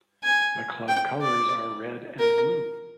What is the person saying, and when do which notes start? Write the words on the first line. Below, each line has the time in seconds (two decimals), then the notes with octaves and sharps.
The club colours are red and blue.
0.24 G#5
0.88 G5
1.21 D5
2.19 A#4